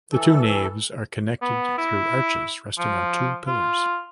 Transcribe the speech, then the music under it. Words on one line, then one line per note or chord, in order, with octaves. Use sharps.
The two naves are connected through arches rested on two pillars.
E3 A4
B3
E4
F3
F4